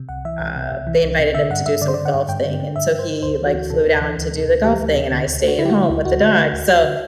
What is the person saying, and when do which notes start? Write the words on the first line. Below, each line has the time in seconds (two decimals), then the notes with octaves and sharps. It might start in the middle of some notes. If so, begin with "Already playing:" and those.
uh they invited him to do some golf thing, and so he, like, flew down to do the golf thing, and I stayed at home with the dogs, so
Already playing: C3
0.09 C2 F#5
0.25 E3 E5
0.40 C2
0.56 C3
0.72 C2
0.87 E3
1.04 C2
1.19 C3
1.34 D3 E5
1.50 G2 F#5
1.66 G2 E5
1.82 D3 D5
1.88 C5
1.94 D3 D5
2.05 F#5
2.14 G2
2.28 G2 G5
2.45 D3
2.60 D3
2.76 G2 E5
2.92 G2
2.99 C5
3.08 D3
3.23 D2 C5
3.39 E3
3.46 F#4
3.54 D2
3.70 C3 A4
3.86 D2
4.01 E3
4.18 D2
4.33 C3
4.48 D2
4.64 E3 G4
4.80 D2
4.96 C3
5.12 D3
5.27 D2
5.42 D2
5.48 F#4
5.59 D3 E4
5.65 G4
5.70 D3 F#4
5.83 E4
5.90 D2
6.05 D2 F#4
6.22 D3
6.37 D3
6.53 D2
6.68 D2
6.84 D3